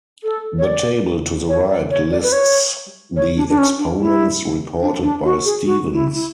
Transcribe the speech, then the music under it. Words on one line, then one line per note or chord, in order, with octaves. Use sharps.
The table to the right lists the exponents reported by Stevens.
A4
C#5
D5
C#5
D5
C#5
D5
B4
C#5
C#5
D4
D4
C#4
D4
E4
D4
D4
F#4
G#4
F#4
E4
E4